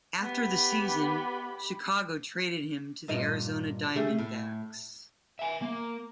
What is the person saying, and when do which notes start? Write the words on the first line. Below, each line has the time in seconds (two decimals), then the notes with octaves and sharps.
After the season, Chicago traded him to the Arizona Diamondbacks.
0.22 B3 G4 B5
3.08 G2 A#2 D#5
3.96 G3 A3 G#4
4.19 A2
5.39 E5 G#5
5.62 A#3